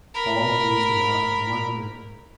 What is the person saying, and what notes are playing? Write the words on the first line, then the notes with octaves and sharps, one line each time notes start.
All gazed about in wonder.
A#4 B5